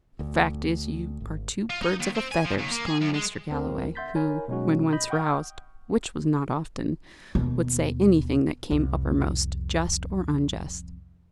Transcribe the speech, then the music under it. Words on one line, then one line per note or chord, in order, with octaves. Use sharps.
"The fact is, you are two birds of a feather," stormed Mr. Galloway, who, when once roused, which was not often, would say anything that came uppermost, just or unjust.
D2
G#1
F4
D#4
D#2
C4
G#5
F3
D#2
A#3
G#4
F#2
G#3
D2 C4 A#4
E5 F#5 C6 G6 A6 B6
D#4 A#4 C#5 G#5 B5
B2 F#3 G#3 C#4 D#4 F#4
D#5 B5 G6
F#5 G5 C#6 D#6 F6 G6
D#2 B2
C2 F2